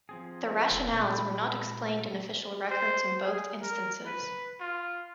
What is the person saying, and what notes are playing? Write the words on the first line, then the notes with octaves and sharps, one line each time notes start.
The rationales were not explained in official records in both instances.
F3 C4 G#4
E1
A#2 G#3
B5 G6
C5
G#4
A#4
B4
F4